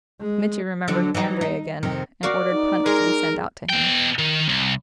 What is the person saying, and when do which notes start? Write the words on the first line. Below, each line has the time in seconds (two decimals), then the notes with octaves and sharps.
Mitya remembered Andrey again, and ordered punch to be sent out to him.
0.21 G#3
0.88 D3 F#3 D4
1.14 E3 F#3 D#4
1.41 D#4
1.83 F2 C3 D#3
2.23 F#4 A#4 D5 F5
2.52 D#4
2.86 G#3 A#4
3.70 B2 G5
4.19 D#3
4.49 C2